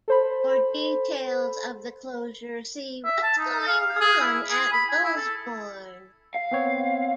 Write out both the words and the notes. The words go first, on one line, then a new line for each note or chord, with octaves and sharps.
For details of the closure, see 'What's Going on at Wellesbourne?'.
A4 C5 B5
E5
A5
D#4
F5
F5
G#4
E4
G#4
B5
G#5
E4
A4
F5
B3 C4 C#5